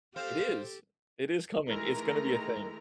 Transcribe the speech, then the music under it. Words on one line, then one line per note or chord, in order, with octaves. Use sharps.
It is. It is coming, it's gonna be a thing.
C4 G4 A4 C5 F5
D#3 E3 G#3 A3 A#4 A#5